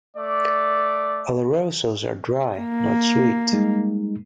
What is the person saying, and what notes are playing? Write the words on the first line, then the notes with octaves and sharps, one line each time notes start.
Olorosos are dry, not sweet.
A3 D5
A#3
G3 G#3 D#4